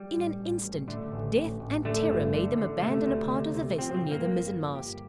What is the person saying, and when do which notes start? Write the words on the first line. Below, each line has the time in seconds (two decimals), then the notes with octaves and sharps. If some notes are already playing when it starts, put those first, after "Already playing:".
In an instant, death and terror made them abandon a part of the vessel near the mizen-mast.
Already playing: G3
0.16 A1
0.40 A1
0.64 A1
0.88 D3 A3
1.12 A1
1.36 A1
1.60 A1
1.85 D3 A3
2.09 G1
2.34 D3
2.58 D3
2.81 C3 A3
3.06 D2
3.30 C3
3.54 C3
3.78 F3 C4
3.94 C4
4.03 G2
4.11 A#3
4.27 G1
4.52 F3
4.75 G1 G4